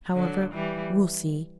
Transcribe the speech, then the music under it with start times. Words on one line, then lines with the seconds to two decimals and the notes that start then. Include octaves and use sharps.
However, we'll see.
0.14 D3 F#3
0.53 E3 G3